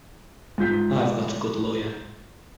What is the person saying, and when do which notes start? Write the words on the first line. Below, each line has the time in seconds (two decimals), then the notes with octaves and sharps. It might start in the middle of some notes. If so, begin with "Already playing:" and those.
I've got a good lawyer.
0.58 G#2 F4 G6 B6